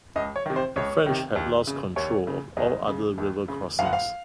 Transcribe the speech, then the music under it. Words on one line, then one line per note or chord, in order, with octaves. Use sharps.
The French had lost control of all other river crossings.
C#2 D#5
C#5
C3 D#3
C5
C#2 C#5
C3 D#3
D#2
C#3
D#2 C#5
C#3
D#2 D#5
C#3
D#2
C#3
F#1 F5
F#5
F5